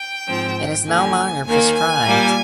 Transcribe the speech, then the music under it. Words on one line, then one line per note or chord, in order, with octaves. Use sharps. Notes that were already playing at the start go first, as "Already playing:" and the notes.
It is no longer prescribed.
Already playing: G5
G#2 F3 C4
D#2 D3 F3 G#5
D#2 D#3 A#3 G#5
G#5
A#2 G3 A#3